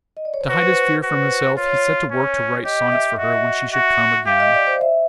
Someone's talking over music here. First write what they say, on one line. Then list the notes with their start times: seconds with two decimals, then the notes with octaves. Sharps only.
To hide his fear from himself, he set to work to write sonnets for her when she should come again....
0.17 D#5
0.25 D5
0.34 C#5
0.41 C5
0.49 F#4 B4
1.03 F#4
1.57 F4 C#5
2.11 C#4
2.65 G4 D#5
2.92 E5
3.19 F#4
3.73 F#4
4.27 G4 F5
4.40 D#5
4.54 D5
4.67 C5
4.81 E5